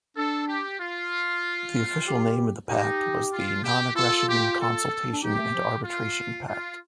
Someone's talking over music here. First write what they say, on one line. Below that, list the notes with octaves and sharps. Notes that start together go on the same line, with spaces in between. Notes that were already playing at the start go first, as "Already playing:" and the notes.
The official name of the pact was the Non-Aggression, Consultation and Arbitration pact.
D4 A4
G4
F4
G4
D#4 G4
F4
G4
F4 A4
G4
A4
D4
D#4 G4
A3
F3
F4
F4